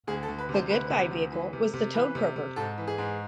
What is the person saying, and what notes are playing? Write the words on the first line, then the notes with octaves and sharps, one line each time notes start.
The good guy vehicle was the Toad Croaker.
D2 G#4
A4
D2
B4
C3
C5
D2 B4
C3
D2
E3
C3
C3
E3 B4
C3
C3
G#2 A4
E3
G#4
G#2